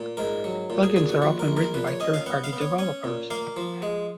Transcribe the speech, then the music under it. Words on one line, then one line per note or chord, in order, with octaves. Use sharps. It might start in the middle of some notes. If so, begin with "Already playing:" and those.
Plugins are often written by third-party developers.
Already playing: A#2
G#2 A#4
F#3
A#2
G#4
A#2 G#4
F#4
A#1 F#4
A#4
A#1
A#4
A#2 B4
C#5
C#4 D#5
F5
B3 F#5
F5
B3
C#5
C#4 C#5
A#2
A#3 F5
F3
G#3